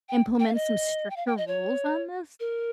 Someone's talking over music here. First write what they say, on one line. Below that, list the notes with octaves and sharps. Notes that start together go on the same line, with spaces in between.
implement some stricter rules on this?
G5
G5
F5
D#5
G5
F5
G5
D#5
C#5
A#4